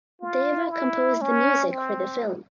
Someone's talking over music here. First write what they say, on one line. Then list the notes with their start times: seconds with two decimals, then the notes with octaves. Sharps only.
Deva composed the music for the film.
0.21 F4
0.71 E4
1.22 C#4
1.72 C4